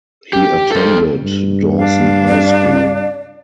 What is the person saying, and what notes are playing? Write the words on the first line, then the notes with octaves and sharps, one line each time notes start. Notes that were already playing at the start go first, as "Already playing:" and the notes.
He attended Dawson High School.
G4
A4 C5
G2
D4 F5
D5